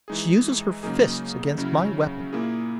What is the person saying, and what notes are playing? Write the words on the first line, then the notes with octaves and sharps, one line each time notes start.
She uses her fists against my weapon.
E3 G#3 D#4 G#4
C#3 F#3 A#3 D#4 G#4
C#3 F#3 C#4 E4
A#2 A#3 E4 G#4